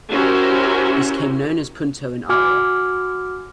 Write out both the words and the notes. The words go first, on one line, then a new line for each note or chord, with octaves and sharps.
This came to be known as "punto in aria".
C#4 E4 F#4 G4 A#4 C5
F#4 G#5 D6 F6